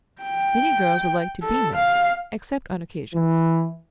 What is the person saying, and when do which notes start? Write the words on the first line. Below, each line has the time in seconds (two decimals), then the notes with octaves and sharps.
Many girls would like to be men--except on occasions.
0.22 G5
1.43 A4
1.76 F5
3.14 E3